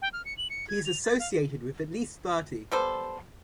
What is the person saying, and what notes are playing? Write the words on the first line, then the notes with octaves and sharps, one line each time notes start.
He is associated with at least thirty.
G5
F6
C#7
F#7
C#7
G#6
F7
A6
F5
G3 B3 A4 C5